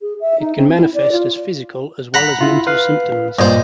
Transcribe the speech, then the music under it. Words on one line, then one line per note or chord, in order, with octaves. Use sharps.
It can manifest as physical as well as mental symptoms.
G#4
E5
D#4
C4
E4
D5
F4
F#5 A#5 B5
E4 F4
B4 F5
G2 A#2 C5 D#5